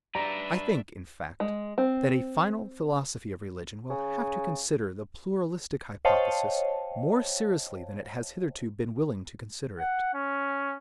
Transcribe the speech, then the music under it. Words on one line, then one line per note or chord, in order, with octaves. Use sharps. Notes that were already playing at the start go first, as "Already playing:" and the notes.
I think, in fact, that a final philosophy of religion will have to consider the pluralistic hypothesis more seriously than it has hitherto been willing to consider it.
G3 D4 B4 D5 E5 A#5
G#3
C4
C#3
C5 C#5 D#5 F5 G5 A5
F#5
C#4